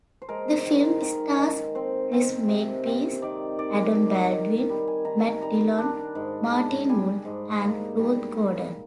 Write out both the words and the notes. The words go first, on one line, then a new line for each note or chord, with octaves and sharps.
The film stars Chris Makepeace, Adam Baldwin, Matt Dillon, Martin Mull, and Ruth Gordon.
C5
G#3 A#4
D#3
D#3
D#3
C4 C5
C4
C3
C4
D#3 D5
D#3 D5
D#3
D#3
G3
G#5
D#3 A#5
G#5
G3 A#5
D4
G#2
D4
G3 G#5
G#2
A#3
G3